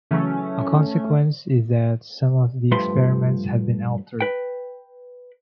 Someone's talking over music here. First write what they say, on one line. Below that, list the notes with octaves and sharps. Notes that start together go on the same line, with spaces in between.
A consequence is that some of the experiments have been altered.
C#3 E3 F#3 A3 C#4
G2 F3 A3 B4 B5 C6
B4 G5